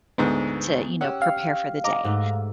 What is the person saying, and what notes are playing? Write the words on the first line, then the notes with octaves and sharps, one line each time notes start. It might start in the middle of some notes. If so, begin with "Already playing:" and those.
to, you know, prepare for the day,
D2 G#2 G#3 B3
C#4 G4 F#5 E6
F5
D#5 A#5 D6
G#2 A3